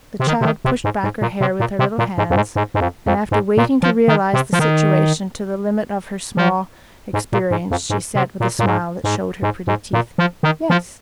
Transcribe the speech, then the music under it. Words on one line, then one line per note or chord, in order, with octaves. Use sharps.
The child pushed back her hair with her little hands, and after waiting to realise the situation to the limit of her small experience, she said, with a smile that showed her pretty teeth, "Yes."
C3
D#3
C3
D#3
C3
G#2
G#2
A#2
C3
A#2
C3
A#2
G#2
F2
G#2
G#2
G#2
F2
F2
G#2
A#2
F3
D#3
C3
F3
D#3
F3
G#2
A#2
G#2
F2
G#2
C3
A#2
A#2
G#2
G#2
G#2
G#2
A#2
F3
D#3
F3